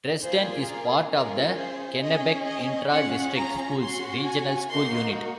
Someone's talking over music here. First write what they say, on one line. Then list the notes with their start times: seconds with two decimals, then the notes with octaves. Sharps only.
Dresden is part of the Kennebec Intra-District Schools Regional School Unit.
0.23 A#3 F4 G#4 C5
0.68 A#4
1.12 C#4 F4 G#4 A#4
1.57 C5
2.01 C#4 G#4 D#5
2.46 D#5
2.91 C#4 F4 G#4 F#5
3.36 A#5
3.79 C#4 F#4 C6
4.24 G#5
4.69 A#3 D#4 F#4 C6